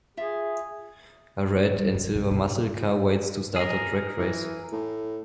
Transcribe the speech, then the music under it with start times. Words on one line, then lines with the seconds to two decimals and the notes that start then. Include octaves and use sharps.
A red and silver muscle car, waits to start a drag race.
0.17 F4 G#4 E5 F5
1.76 G3
1.94 F1 F4
2.15 C3
2.31 B1 B2
3.56 G#4 A#4
4.19 E3
4.72 A2